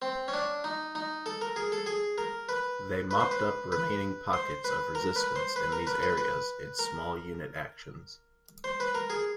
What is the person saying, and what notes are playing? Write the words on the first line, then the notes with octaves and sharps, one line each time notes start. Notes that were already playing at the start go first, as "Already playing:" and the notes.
They mopped up remaining pockets of resistance in these areas in small unit actions.
C4
C#4
D4
D#4
D#4
A4
A#4
G#4
A4
G#4
A#4
B4
B4
C5
B4
B4
C5
B4
A#4
B4
C5
B4
A#4
B4
B4
B4
A#4
C5
B4
A#4
G#4